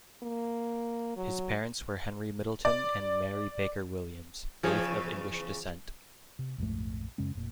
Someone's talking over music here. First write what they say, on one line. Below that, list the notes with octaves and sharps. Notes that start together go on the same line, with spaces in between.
His parents were Henry Middleton and Mary Baker Williams, both of English descent.
A#3
F#3
D5
E2 C#3 F3 G#4 C#5
C3
A#1 F2 G#2 A3
F#2 C#3 G#3 C#4
F1 A#2